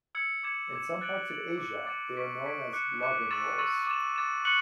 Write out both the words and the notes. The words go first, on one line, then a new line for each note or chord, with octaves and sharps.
In some parts of Asia they are known as "laugen rolls".
E6 G#6 C#7
D6 G#6 C#7 E7
D6 G#6 C#7 E7
F#6 A6 D7 F#7
F#6 A6 D7 F#7
D6 A6 C#7
D6 A6 C#7
C#6 G#6 B6 D7
C#6 G#6 B6 D7
D6 F#6 C#7
D6 F#6 C#7
C#6 E6 A6 E7
C#6 E6 A6 E7
D6 A6 E7
D6 A6 E7
C#6 F#6 C#7 F#7